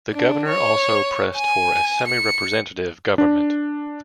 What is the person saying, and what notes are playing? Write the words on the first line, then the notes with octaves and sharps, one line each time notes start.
The governor also pressed for a semi-representative government.
D4
C#5
G#5
C#7
D4